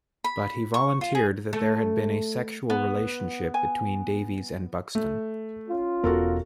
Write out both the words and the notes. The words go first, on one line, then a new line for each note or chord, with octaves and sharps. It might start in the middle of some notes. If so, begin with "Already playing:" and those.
But he volunteered that there had been a sexual relationship between Davies and Buxton.
B5
C#6
F4
G#4
A3
B3
G#5
A3
C#4 F4
E1 B3 F#4 A4 A#4